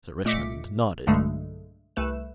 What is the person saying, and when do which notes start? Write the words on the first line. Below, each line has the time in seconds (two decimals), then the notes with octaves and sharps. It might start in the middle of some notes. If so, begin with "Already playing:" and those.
Sir Richmond nodded.
0.25 A#2 A3 D#5 D6 B6 C#7
1.07 B1 G2 D3 G#3 A3
1.96 C2 A3 B4 E7